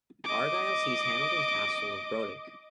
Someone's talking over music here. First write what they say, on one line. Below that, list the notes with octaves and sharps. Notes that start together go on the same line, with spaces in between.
Argyll seized Hamilton's castle of Brodick.
D#5 D6